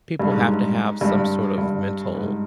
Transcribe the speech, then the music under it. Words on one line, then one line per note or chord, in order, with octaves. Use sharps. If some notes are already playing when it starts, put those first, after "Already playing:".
people have to have some sort of mental
G2
G#2
G#2
G2
G2
G#2